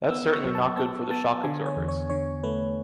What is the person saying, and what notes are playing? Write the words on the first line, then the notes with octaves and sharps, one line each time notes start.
That's certainly not good for the shock absorbers.
B3 E6
C#6
F#3
A5
B3 A5
B3 A5
D3 G#5
C#5
E2
C#5
D3 C#5
A3 B4